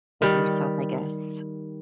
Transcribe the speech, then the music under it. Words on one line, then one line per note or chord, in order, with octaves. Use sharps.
with yourself, I guess.
D#3 G3